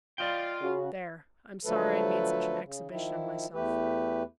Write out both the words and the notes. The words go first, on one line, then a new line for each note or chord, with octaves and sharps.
There, I'm sorry I made such an exhibition of myself.
F4 D5 D#5 G5
C#3 F#4
D3 F3 F#3 A3 A4 B4
C#3
D#3 F3 E4
E2 A3 G4 B4